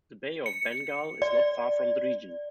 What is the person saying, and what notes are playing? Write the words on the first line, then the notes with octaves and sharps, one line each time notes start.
The Bay of Bengal is not far from the region.
C#7
D5